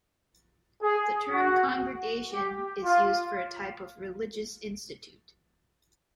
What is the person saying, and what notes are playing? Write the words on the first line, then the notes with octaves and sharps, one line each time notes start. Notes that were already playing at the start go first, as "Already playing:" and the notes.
The term "congregation" is used for a type of religious institute.
G#4
F#4
G4
F4